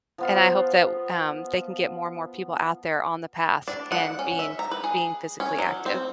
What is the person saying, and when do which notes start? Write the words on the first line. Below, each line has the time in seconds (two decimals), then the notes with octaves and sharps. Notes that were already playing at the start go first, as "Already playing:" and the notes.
And I hope that, um, they can get more and more people out there on the path and being, ph being physically active.
0.18 F3 B3 F4
3.68 D4
3.92 F#5
4.19 C#4
4.39 E5
4.59 A#5
4.71 B4
4.84 G#4
5.40 C#4
5.58 F#3
5.86 C4